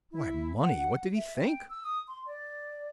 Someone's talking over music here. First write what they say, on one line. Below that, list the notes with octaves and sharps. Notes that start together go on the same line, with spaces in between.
Why, money; what did he think?
E4
F#5
E5
G5
E6
D#6
C6
D5